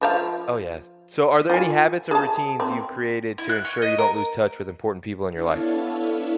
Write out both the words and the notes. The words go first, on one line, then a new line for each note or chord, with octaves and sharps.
Oh, yeah. So are there any habits or routines you've created to ensure you don't lose touch with important people in your life?
F3 C5 F5
F4 G#5
G#4 A5
C4
E4
F#6
C#5
D#5
A#4
B3 D4 E4 A4 C#5 F5